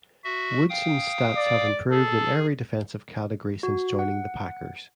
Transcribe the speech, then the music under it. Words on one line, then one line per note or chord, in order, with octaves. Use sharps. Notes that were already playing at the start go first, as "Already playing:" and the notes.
Woodson's stats have improved in every defensive category since joining the Packers.
F#4 E5
F5 G5 D#6
D5
G#4 A4
F#4
F#5